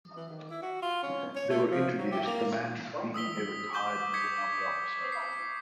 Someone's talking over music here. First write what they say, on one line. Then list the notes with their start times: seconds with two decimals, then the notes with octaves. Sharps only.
They were introduced, the man being a retired Indian army officer.
0.16 E3
0.30 D#3
0.51 E4
0.62 F#4
0.82 F4
1.03 C#4
1.36 C#5
1.50 A3
1.71 F3
1.98 F#3
2.12 G4
2.27 A#3
3.14 D#6 E6 B6 G7
3.73 C#6 D6 G6 G7
4.13 D#6 G#6 B6 C#7
5.12 C7